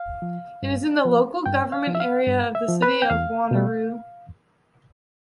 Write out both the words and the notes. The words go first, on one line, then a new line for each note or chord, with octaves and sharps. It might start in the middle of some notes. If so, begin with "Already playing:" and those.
It is in the local government area of the City of Wanneroo.
Already playing: F5
F3
G2
F3
G2 G5
F5
F3
E5
F5
G2
E5
F3
B4
G5
E2 F5
B2 G3